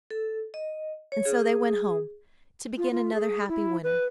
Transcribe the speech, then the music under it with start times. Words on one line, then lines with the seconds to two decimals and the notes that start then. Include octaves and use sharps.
And so they went home to begin another happy winter.
0.10 A4
0.54 D#5
1.12 C#5
1.25 G#4
2.77 F4
2.91 F4
3.14 G#4
3.48 E4
3.83 B4